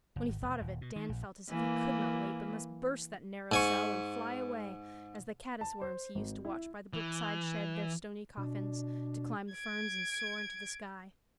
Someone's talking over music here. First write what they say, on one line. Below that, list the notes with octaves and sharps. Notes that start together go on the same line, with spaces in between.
When he thought of it Dan felt as if he could not wait, but must burst that narrow cell and fly away, as the caddis-worms he used to watch by the brookside shed their stony coffins, to climb the ferns and soar into the sky.
F#1
G#1
E1
D#1
B2
D#3
A#1
E3 A#3
G#2 G#5 C#6
A5
C5
G#1
E4
E3
B2 D4
G#6 D7